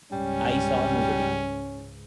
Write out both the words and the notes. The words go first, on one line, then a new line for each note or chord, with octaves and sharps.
I saw nobody.
C#2 G#2 G3 C#4